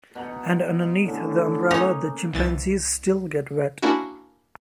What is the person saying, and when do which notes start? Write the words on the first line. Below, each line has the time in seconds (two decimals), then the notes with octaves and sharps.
And underneath the umbrella the chimpanzees still get wet.
0.15 B2 D#4
1.05 A2 D3 C#4
1.71 A#3 C#4 D#4
2.33 C2 E3 A6
3.82 A#3 C#4 D4 E4 F#4